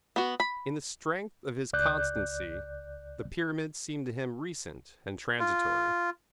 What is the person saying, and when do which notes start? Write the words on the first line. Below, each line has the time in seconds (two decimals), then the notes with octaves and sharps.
In the strength of his constancy, the Pyramids seem to him recent and transitory.
0.16 B3 F#4
0.40 B5
1.73 C#2 D5 F#6 G6
5.39 F4